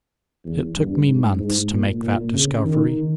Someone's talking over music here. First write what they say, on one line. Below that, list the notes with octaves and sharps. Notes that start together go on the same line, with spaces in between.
It took me months to make that discovery.
E2
G2
G#2
G#2
A#2
A#2
C#3
D#3